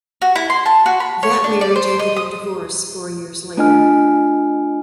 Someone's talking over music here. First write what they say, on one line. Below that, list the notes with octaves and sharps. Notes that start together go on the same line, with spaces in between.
That marriage ended in divorce four years later.
F#4
E4
C6
A5
F#4
B5
C#5
D4
D5
C5
D#5
D#6
A3 D4 F4 D#5 G#5 F6